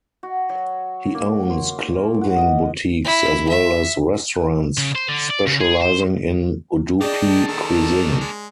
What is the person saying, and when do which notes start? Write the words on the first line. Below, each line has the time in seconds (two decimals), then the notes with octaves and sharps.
He owns clothing boutiques as well as restaurants specializing in Udupi cuisine.
0.23 F#4
0.49 F#3
1.14 A#3
1.50 C6
1.96 A#4
2.21 F#5
2.36 D#5
3.04 E4
3.49 E5
4.78 C#3
4.95 C5
5.09 D3
5.31 D5
5.47 C#3
5.61 G#4
5.80 C5
7.01 A#3 D4 G#4 D5 D#5 G5
7.48 D#3 A4
8.21 G#3